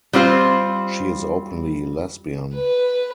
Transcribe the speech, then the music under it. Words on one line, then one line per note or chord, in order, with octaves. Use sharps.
She is openly lesbian.
G3 C4 F4 C5
B4